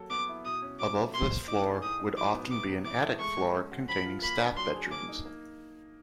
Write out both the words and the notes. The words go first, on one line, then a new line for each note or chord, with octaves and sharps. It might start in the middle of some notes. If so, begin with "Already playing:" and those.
Above this floor would often be an attic floor containing staff bedrooms.
Already playing: F#3 A#3 A4
B3 D6
E4
B2 D#6
C#4
F#3 D6
A3
A#3 C6
C5
D#4 D6
G#4
A2 D#6
D#4
F#3 D6
B3
C3 D6
C3
E3 D6
A3
G#3 C#6
G#3
C#4
F#4
F3 B5
F4
A#3 B5
D4
F#3 C6
G#4
A#3 D6
D#4
A#3